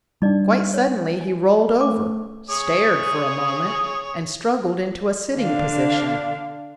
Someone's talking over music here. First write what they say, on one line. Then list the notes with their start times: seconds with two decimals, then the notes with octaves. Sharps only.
Quite suddenly he rolled over, stared for a moment, and struggled into a sitting position.
0.22 G3 D4 D#4 D5
0.74 C#5
1.21 G#5
1.81 A3 D6
2.50 G#4 C#5 D#6
5.38 D3 D4 F5